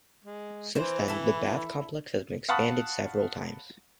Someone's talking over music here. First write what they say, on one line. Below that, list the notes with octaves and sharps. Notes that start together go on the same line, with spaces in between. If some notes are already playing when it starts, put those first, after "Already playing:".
Since then, the bath complex has been expanded several times.
G#3
E3 C4 C5
E4 A4
F5 F#5 A5 B5 C#6 D#6